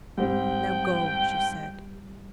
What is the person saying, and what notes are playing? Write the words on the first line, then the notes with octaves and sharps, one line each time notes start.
"Now go," she said.
G#2 G3 C4 G5